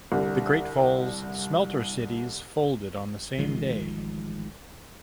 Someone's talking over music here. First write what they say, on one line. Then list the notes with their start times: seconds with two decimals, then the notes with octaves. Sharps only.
The Great Falls Smelter Cities folded on the same day.
0.12 C2 D3 G3
3.38 A1 D#3 F3 G#3